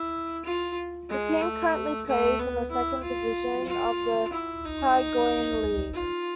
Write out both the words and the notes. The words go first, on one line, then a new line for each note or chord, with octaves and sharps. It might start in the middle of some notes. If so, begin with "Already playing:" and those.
The team currently plays in the second division of the Paraguayan League.
Already playing: E4
F4
G#3
A3
A3
B3
E4
F4
F4
E4
D#4
F4